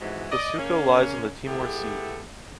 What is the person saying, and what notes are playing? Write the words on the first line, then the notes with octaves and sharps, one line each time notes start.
The Suco lies on the Timor Sea.
G#2 C3 E3 G#3 F#4
D5 D#5
C#3 A#3 C#4
G#3 A3 B3 E4 G4